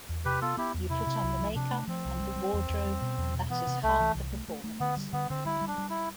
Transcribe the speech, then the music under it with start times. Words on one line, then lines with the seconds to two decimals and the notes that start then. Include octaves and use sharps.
You put on the makeup and the wardrobe, and that is half the performance.
0.09 E2
0.25 C3 G4 B4
0.41 B3 F4 A4
0.57 B3 E4 G4
0.74 E2
0.90 C3 E4
1.07 C3
1.23 C2
1.40 F3
1.55 C3 D4
1.71 A3
1.87 F3 C4
2.05 C2
2.21 G3
2.36 G3
2.53 E2
2.69 E2
2.85 G3
3.02 B2
3.18 E2
3.34 B2
3.50 E3 B3
3.67 C3
3.83 C2 A3
4.00 E3
4.15 C2
4.32 A3
4.48 A3
4.64 A3
4.80 D3 B3
4.97 G3
5.13 D3 B3
5.30 D3 C4
5.45 G3 E4
5.61 G3
5.67 D4
5.78 G3
5.89 E4